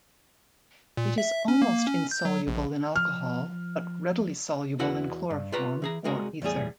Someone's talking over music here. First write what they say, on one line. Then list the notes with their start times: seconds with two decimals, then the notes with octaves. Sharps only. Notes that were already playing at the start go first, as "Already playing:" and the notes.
It is almost insoluble in alcohol but readily soluble in chloroform or ether.
0.97 A#2
1.18 E5
1.48 C#4
1.62 A#3
1.87 C#4
2.11 G6
2.25 F#3
2.47 A#1
2.96 F3 F6
4.79 E2 E4 F#4 B4 F#5
5.30 G2
5.52 F4 G4 B4 C#5 A#5
5.82 E3 G#4 A#5
6.04 C2 C3 G#3 F#4 G#4 A#4
6.42 E2 A2 G3 G#4